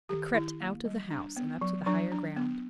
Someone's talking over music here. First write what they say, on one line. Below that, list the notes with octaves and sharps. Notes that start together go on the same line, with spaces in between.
I crept out of the house, and up to the higher ground.
D#3 G4
D#3 E4
A#3
G3
D4
B3
F#3
F#3 D4
D4
B3